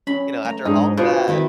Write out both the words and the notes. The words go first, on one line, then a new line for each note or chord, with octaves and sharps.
you know, "After all that,"
C#4 B5
A3 A#5
G#2 D4 D#4 G#4
B2 F4 G4 C5
D#3 C4 E4